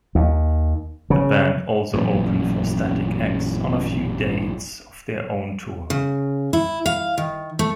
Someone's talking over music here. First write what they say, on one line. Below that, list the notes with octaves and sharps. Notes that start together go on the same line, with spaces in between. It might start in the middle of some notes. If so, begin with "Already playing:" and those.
The band also opened for Static-X on a few dates of their own tour.
D#2
C#3
A1 F#2 A#2
C#3
E4
F5
D#3
A3